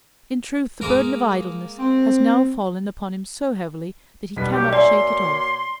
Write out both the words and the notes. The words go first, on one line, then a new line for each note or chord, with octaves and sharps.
In truth the burden of idleness has now fallen upon him so heavily that he cannot shake it off.
G#3 A#3 A#4
C4
B1 G3 B3 B6
B2 A#3 G4 C#5
D5 E5 G#5 A#5 C6